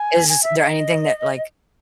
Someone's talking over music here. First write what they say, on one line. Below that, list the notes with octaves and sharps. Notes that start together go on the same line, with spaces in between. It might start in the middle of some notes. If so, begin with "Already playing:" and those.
is there anything that like
Already playing: G#5
G#5
E5
D#5